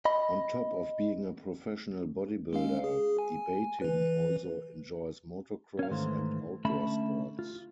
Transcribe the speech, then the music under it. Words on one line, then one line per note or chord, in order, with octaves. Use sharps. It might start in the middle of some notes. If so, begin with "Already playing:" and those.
On top of being a professional bodybuilder, Debatin also enjoys motocross and outdoor sports.
D#5 B5
G#3 C#4 F5
G#4
G#5
E3 B4
C#4 F5
G#2 D#3 E3 A3 C5
D3 A3 C#4 E5 B5
F4